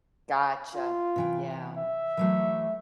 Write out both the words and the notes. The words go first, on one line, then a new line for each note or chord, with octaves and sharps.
Gotcha, yeah.
F4
C3 E3 G5
E5
E3 F#3 A3